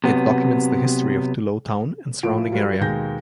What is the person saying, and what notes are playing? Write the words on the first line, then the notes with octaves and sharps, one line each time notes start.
It documents the history of Tullow town and surrounding area.
C3 F#3 B3
A#2 F3 E4 D7
F#3 G3 F4 F#4 A4 B4
D#2 B2 G#3 G6 A#6